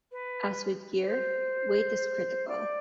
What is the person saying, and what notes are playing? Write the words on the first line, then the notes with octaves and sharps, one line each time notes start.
As with gear, weight is critical.
B4
C5
D5